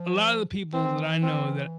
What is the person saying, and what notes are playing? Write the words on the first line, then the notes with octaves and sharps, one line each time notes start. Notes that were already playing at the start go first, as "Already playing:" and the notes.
a lotta the people that I know that
Already playing: F3
E3 C4
C4